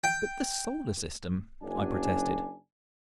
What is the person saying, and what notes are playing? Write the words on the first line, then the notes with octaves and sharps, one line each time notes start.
"But the Solar System!" I protested.
G5
F#1 F#2 D4 G#5